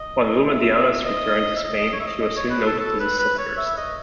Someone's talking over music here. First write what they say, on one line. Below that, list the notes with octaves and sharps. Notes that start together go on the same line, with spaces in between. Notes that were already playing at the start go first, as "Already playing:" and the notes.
On Villmediana's return to Spain, he was soon noted as a satirist.
Already playing: D#5
E5
D#5
E5
D#5
D#5
C#5
E5
D#5
D#5
C#5
B4
A4
A4
B4
B4
C#5
E5
D#5